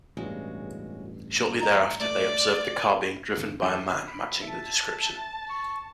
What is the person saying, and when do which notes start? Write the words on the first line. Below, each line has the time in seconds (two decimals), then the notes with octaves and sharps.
Shortly thereafter they observed the car being driven by a man matching the description.
0.17 A1 E2 G2 C#3 G#3 F#4
1.60 D#5 A#5
2.01 A3 D5
3.37 G1 E2
3.62 E2 C#4 G4 A4
4.07 B5
4.43 E5 A5
5.50 C#6